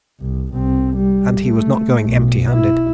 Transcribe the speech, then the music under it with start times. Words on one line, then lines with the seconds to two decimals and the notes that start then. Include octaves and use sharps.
And he was not going empty-handed.
0.20 C2
0.53 C2 C4
0.96 G3
1.43 A3
2.04 B1
2.52 E4